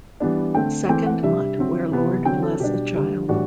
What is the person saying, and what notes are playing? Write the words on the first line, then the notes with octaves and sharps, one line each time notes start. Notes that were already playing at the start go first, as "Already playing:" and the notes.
Second mutt where lord bless a child.
E3 G3 B3 D4
D3 A3 C4 G5
E3 A3 C4 G5
F#5
C3 G3 D4 E5
D3 F#3 C4
C3 E3 B3
D3 F#3 C4 G5
A4
B2 G3 D4 G4
D3 G3 D4
A2 E3 G3 D4 F#4